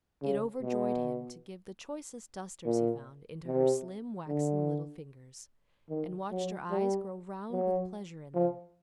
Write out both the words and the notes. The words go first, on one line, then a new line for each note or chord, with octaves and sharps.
It overjoyed him to give the choicest dusters he found into her slim, waxen little fingers, and watch her eyes grow round with pleasure in them.
C#3
B2
A#2
C3
D3
D#3
F#3
G3
F#3
F3